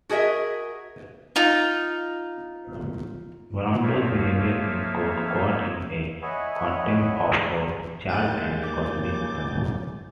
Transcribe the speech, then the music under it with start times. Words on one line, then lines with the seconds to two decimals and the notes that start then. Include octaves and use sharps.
Brando's behavior in court got him a contempt of court charge and conviction.
0.09 F#4 G#4 A#4 D#5 E5
1.36 D#4 F4
3.83 F3 A#3 D#4 C#5 E5 F5
6.23 C#5 D#5 E5 F#5 G#5 B5
8.09 D#2 G#3 G#5 F#6 G6 A6
8.63 C#2 D6